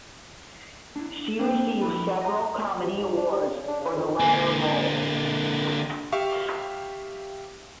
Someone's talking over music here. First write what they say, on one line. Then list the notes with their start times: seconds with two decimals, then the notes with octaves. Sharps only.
She received several comedy awards for the latter role.
0.96 D4 E4
1.39 A#3 C4 D4 A4 C5
1.81 F2 E4 A4 B4
2.21 D#5 A#5
2.81 C3
2.94 G#2
3.17 D4
3.30 G3
3.50 C#3
3.67 D4
3.81 C#3
3.95 F2
4.20 D3 A#3
6.12 G4 E5 F5 C#6